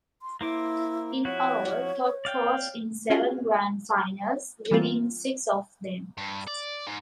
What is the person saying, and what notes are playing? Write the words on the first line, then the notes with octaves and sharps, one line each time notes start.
In all, Todd coached in seven Grand Finals, winning six of them.
C6
A#3 E4 C5 D6
F3 E4 F#4 C#5
D5 F5 G5
C#4 F4 F#4 G#4
E3 G3 A#3 C4 F4
G2
D5
G#2